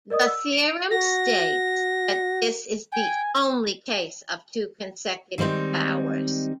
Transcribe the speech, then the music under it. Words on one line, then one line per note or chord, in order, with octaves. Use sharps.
The theorem states that this is the "only" case of two consecutive powers.
A#4 D5 D#5 D#6
E6
D7 F7
F#4 A#6
G5 G#5
D#3 G3 G#3 C4 D#4